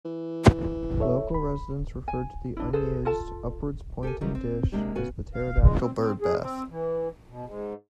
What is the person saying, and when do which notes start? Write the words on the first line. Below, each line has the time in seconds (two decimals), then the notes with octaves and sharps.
Local residents referred to the unused, upwards-pointing, dish as "the Pterodactyl Birdbath".
0.05 E3
1.00 A4 C#5 E5
1.34 B5
2.08 G#5
2.57 D4 E4
2.73 G#4 A4 B4 C5
3.05 F4 A4 A5
4.03 G4 A4 A#4 G#5
4.21 D#3 E3 F#3 G3
4.35 C4
4.72 C3 G#3 A#3 D4 G4
4.95 C#3 B3 F#4 G#5
5.34 F5
5.62 G#3
5.78 C4
5.97 C4
6.22 G#4
6.40 C4
6.70 E3
7.29 B2
7.45 G#2